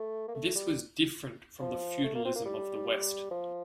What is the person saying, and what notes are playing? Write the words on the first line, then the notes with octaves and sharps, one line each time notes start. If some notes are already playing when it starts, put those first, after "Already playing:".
This was different from the feudalism of the West.
Already playing: A3
A#3
A3
G3
F3
A3
A#3
C4
A#3
G3
F3